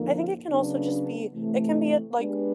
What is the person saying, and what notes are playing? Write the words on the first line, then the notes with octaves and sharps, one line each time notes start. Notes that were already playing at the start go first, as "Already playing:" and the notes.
I think it can also just be it can be a, like,
Already playing: F2 D3 F3 A#3 D#4
C#3 F#3 B3 D4
C3 E3 A3
G#3 B3 D4 G4 B4